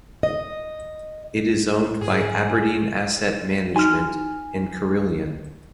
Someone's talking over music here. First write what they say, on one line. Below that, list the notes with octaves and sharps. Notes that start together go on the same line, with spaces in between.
It is owned by Aberdeen Asset Management and Carillion.
D#5
G#2 G#4
D#4 F#4 G#5 F6